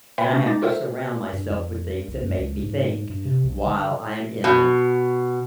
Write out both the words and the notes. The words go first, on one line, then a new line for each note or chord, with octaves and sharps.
and I have to surround myself with things that make me think while I'm in
B4 E5 G5 G#5 B5
A3 C#4
G#3 D#4 D6 A6
F4 A4 A#4 C5 E5
G2
F2
B1
F#2
C#2
G#2
G2
C3
B1
D3
B2